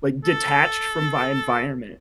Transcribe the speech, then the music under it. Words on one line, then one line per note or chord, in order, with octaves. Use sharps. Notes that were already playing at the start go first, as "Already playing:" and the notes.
like, detached from my environment.
A4